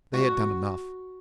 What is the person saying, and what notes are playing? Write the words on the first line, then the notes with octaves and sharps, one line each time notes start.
They had done enough.
F#4